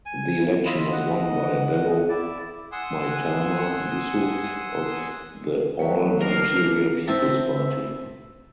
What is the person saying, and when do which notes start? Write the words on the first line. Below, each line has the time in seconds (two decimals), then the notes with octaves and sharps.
The election was won by Bello Maitama Yusuf of the All Nigeria Peoples Party.
0.06 G#5
0.66 E4 F4 D#5 B5
0.93 D#5 F#5
2.09 E4 D5
2.72 F#5 G#5 C6 D#6 E6
5.79 F#3 A3 B4
6.22 D4 A#4 F6 C7
7.08 C4 E5 A5 A#5